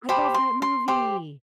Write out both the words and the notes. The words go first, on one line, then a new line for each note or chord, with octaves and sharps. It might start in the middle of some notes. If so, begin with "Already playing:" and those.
I love that movie!
G4 C5 B5
C6
C6
G4 C5 C6